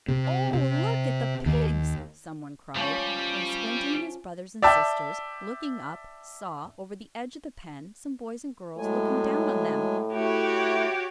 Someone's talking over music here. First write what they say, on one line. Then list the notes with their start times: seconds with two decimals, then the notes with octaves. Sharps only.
"Oh, look at the pigs!" someone cried, and Squinty, and his brothers and sisters, looking up, saw, over the edge of the pen, some boys and girls looking down on them.
0.08 C3
0.54 C3
1.46 D#2
2.76 F3 G3 C#4
4.62 D5 E5 G5 A5
8.78 A2 F#3 G#3 G#5
10.12 A3 E4 F#4 G4 C#5